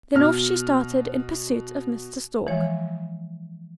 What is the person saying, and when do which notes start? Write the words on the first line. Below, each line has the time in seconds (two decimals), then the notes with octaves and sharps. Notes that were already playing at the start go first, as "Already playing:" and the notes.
Then off she started in pursuit of Mr. Stork.
0.14 B2 F6
2.47 E3 F3 G#3 C#5